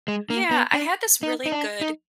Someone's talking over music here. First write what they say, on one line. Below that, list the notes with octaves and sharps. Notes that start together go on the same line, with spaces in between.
Yeah, I had this really good
G#3
A#3
B3
D4
D#4
D#4
D4
D#4